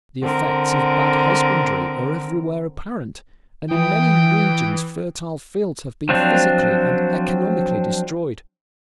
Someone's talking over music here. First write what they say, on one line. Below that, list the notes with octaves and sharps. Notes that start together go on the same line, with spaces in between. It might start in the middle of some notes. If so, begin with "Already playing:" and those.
The effects of bad husbandry are everywhere apparent, and in many regions fertile fields have been physically and economically destroyed.
D3 C4 A#4
E3 G5 D#6
F3 F#3 C4 D4